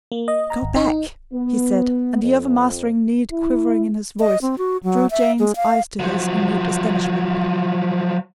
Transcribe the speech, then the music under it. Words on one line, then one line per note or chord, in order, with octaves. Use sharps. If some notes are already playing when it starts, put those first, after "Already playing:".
"Go back!" he said, and the overmastering need quivering in his voice drew Jane's eyes to his in mute astonishment.
A#3
D#5
A#5
G#1
D#4
B3
F2
E4
D#5
C4
F#4
F#3
E5
G#3
F5
F3 F#3